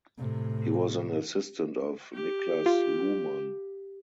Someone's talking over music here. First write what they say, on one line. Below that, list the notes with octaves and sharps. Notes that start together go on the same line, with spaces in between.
He was an assistant of Niklas Luhmann.
A2 C3
G4
F4